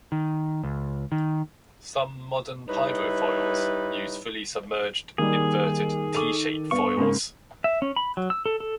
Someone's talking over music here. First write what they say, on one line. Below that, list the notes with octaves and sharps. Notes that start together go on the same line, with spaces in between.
Some modern hydrofoils use fully submerged inverted T-shape foils.
D#3
C#2
D#3
G3 D#4 E4 B4 C#5
D#3 G3 A#3 G#4
A4 C#6 D6 D#7
G2 B3 F5 C#6
G#2 C#3 A#3
E5
C#4
B5
F#3
E6
A4
A4